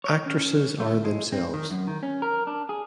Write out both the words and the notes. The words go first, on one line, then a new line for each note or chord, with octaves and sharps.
Actresses are themselves.
C#5
C#4
A3
G#3
C4
D#3
F#2
D#3
C#4
A#4
D4
G#4